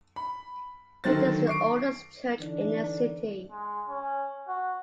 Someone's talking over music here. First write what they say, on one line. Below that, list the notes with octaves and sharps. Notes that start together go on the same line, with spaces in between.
It is the oldest church in the city.
B5
D3 D#3 F#3 C5 A6
C#6 D6 C7 D7
D3 E3 D4 D#4
G#3
C#4
F#4